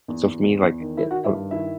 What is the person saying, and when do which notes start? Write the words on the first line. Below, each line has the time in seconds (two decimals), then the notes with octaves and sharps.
So for me, like, yeah, uh
0.08 E2
0.26 E2
0.44 E2
0.62 E2
0.80 D#3
0.97 D#3 E4 E5
1.11 F#4 F#5
1.16 D#3
1.24 E4 E5
1.34 G2
1.51 D#3 E4 E5